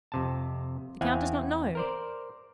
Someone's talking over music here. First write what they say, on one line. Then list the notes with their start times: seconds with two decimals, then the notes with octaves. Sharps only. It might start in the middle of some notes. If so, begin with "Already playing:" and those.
"The count does not know?"
0.12 F2 C3 A5
1.01 E2 C4 E4 F5 F#5 G#5
1.75 A#4 C5 D5